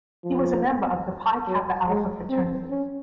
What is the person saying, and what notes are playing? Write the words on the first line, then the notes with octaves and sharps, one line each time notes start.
He was a member of the Pi Kappa Alpha fraternity.
F3
F#3
G#3
C4
C#4